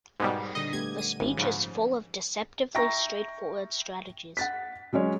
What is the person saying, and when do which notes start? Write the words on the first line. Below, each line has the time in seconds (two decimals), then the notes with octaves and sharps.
The speech is full of deceptively straightforward strategies.
0.20 G#2 B2 G3 G#4 A#4 C#5
0.55 A#2 D3 G3 D#5
0.73 A3 B3 G4 G#6
0.98 D#7
1.20 G#1 C#4 G4
1.37 G#2 C#3 F3
2.75 E5 G5 A#5 C#6 A#6
4.37 F#5 A6 B6
4.93 F#3 G#3 C#4 C#5